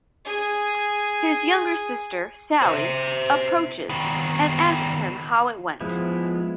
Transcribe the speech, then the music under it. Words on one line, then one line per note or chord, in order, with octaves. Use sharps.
His younger sister, Sally, approaches and asks him how it went.
G#4 G#5
C5 E5
D#3 B3
F3 G#3 B3 E4